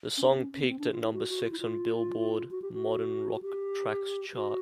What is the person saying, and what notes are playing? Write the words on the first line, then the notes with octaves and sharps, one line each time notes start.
The song peaked at number six on "Billboard" Modern Rock Tracks chart.
C#4
D4
C4
C#4
C#4
B3
C4
D4
F4
E4
F#4
F#4
F4
E4
F4
F#4
G4
F#4
F#4
G4
F#4